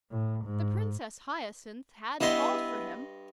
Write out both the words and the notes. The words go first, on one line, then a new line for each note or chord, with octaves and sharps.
The Princess Hyacinth had called for him.
A2
G#2
G2 B3 E4 D#5 C6